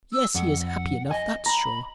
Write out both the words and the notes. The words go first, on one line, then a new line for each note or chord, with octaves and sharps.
Yes, he is happy enough, that's sure!
E6
F2 F#5
F#5
D#5 G#5
A#5 B5